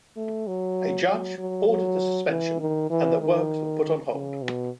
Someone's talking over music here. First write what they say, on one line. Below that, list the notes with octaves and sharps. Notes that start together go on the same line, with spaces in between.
A judge ordered the suspension and the works were put on hold.
A3
F#3
F#3
F#3
F#3
E3
D#3
E3
D#3
C#3
B2